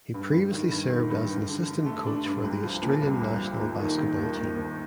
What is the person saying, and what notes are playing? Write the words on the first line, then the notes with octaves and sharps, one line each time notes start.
He previously served as an assistant coach for the Australian national basketball team.
G2
G2
D#3
G2
D#3
G2
G2
D3
D3
A3
D4
G2
C2
F3
A#2
C2
C2
F3
D#2
D#3
D#3
D#2
D#2
D#2